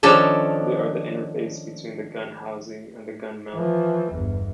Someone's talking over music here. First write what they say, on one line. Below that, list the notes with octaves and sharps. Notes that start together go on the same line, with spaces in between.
They are the interface between the gun housing and the gun mount.
D#3 F3 C#4 D4 A4
E3 F3
G1 E2